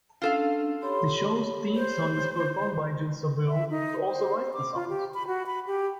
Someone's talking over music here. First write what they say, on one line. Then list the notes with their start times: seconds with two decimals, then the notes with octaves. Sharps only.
The show's theme song is performed by Jill Sobule, who also writes the songs.
0.22 C#4 D4 F4 A4 F5
0.82 G4 C#5 B5 C6
1.75 C5
3.48 E5
3.70 D#4
4.05 C5
4.53 D6
4.75 F4
4.89 G4
5.14 B5
5.27 F#4
5.46 B5
5.67 G4